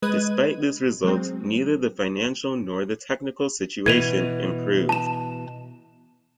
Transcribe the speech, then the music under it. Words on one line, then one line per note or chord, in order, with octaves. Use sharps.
Despite this result, neither the financial nor the technical situation improved.
G#3 B4 D#5 F#6 G#6 D#7
F#3 G#3 C4
B2 E3 G#6 D#7 F7
A5 E7